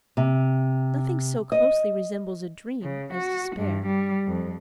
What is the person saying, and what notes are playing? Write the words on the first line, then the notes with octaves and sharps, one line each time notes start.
Nothing so closely resembles a dream as despair.
C3
D#5
C#3
F#4
G2
G3
F2